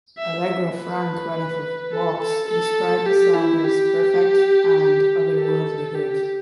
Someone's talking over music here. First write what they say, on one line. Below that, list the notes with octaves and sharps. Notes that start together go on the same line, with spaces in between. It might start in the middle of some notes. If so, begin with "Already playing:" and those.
Allegra Frank writing for "Vox" described the song as "perfect" and "otherworldly good".
E5
B4
A4
A4
A4
G4
E4
G4
A4
G4